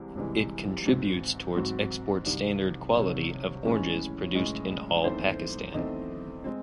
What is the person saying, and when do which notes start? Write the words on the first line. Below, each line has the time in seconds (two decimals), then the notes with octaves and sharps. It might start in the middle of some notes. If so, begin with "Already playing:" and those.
It contributes towards export standard quality of oranges produced in all Pakistan.
Already playing: C2 C3 E3 G#3 E4
0.16 C2 C3 E3 G#3
0.85 G#2 F#3 C4
1.56 G#2 F#3 C4 F#4
2.26 C2 C3 D#3
2.95 C2 C3 D#3 C#5
3.65 A2 E3 G#3 C#4
4.34 A2 E3 G#3 C#4 D#5
5.04 E2 D#3 A3 C4 C5
5.74 E2 D#3 A3 C4 D#5
6.44 G#3 C4